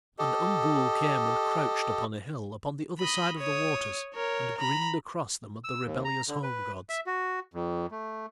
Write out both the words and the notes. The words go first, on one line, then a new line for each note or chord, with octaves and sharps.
And Umbool came and crouched upon a hill upon the other side of the waters and grinned across them at the rebellious home gods.
G4 A4 D#5
D#5 B5
C#5 D#6
A#4 C#5
A#5 B5
E6
D#2
A#5
D3
B4
E5
F#4
F2
A3